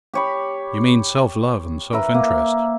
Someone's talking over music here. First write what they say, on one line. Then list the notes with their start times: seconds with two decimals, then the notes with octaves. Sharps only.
You mean self-love and self-interest.
0.14 G4 C#5 B5
1.93 A#4 B4 E5
2.14 A#3